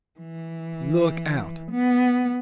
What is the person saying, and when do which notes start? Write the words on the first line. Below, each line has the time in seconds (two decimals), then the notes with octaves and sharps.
Look out!
0.20 E3
1.71 B3